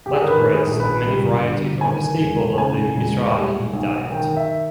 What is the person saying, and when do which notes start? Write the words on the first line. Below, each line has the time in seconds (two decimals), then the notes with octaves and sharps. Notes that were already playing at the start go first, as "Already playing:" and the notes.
Flatbreads of many varieties are the staple of the Mizrahi diet.
0.06 G4
0.14 G#4
0.21 A#4
0.28 D#3 B4
0.54 G#4
0.67 A#1
0.80 B4
1.05 G3
1.43 G1
1.81 D#3 G#5
2.20 E1
2.58 C#3 G#5
2.97 E1
3.35 G3
3.73 B1
4.12 D#3 G5
4.37 E5